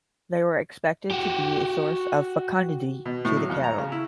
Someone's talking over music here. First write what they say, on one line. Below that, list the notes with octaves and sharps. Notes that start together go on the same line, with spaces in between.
They were expected to be a source of fecundity to the cattle.
F#4 G4
B2
A2
F#3
F2
A#5
C#3
E4